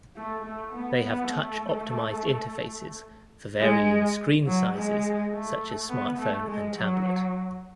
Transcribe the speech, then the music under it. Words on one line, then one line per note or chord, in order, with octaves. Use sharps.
They have touch optimised interfaces for varying screen sizes such as smartphone and tablet.
A3
A3
B3
B3
A3
G#3
F#3
G#3
A3
B3
A3
G#3
F#3